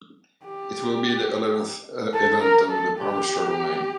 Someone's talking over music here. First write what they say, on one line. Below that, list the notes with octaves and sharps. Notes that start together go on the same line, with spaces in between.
It will be the eleventh event under the Power Struggle name.
G4
A4
A#4
A4
G4